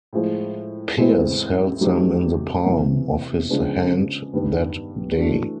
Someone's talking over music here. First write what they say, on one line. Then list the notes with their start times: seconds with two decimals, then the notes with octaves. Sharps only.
Pierce held them in the palm of his hand that day.
0.13 A2 F3 G#3
0.97 A2 E3 G#3 C4 E4
1.81 F#3 A3 C4 D#4 G4
2.65 E2 C3 E3
3.49 C#3 F3 G#3 B3 D4
4.33 G2 D#3 G3 B3
5.17 E3 A3 D4 F#4